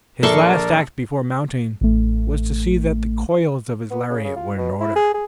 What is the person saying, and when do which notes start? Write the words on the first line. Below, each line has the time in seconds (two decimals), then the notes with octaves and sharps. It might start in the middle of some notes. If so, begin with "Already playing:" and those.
His last act before mounting was to see that the coils of his lariat were in order.
0.23 A#1 A4 A#4 D5 C6 C#6
1.81 A1 A3
3.90 B3
4.10 C#3
4.24 C#3
4.36 F4
4.57 B2
4.81 E4
4.96 G#4
5.14 G#4